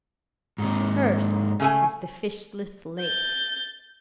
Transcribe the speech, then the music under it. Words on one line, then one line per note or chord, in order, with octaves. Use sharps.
"Cursed is the fishless lake!"
G#2 C3
C#3 A3 G#5
G6 A6